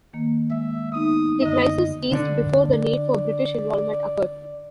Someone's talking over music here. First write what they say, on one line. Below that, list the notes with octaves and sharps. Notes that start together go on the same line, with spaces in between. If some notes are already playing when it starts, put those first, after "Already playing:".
The crisis eased before the need for British involvement occurred.
D#3 A#3
G#3 E5
B3 D#4 D#6
F#2 D3 D#5
D3 D4 D5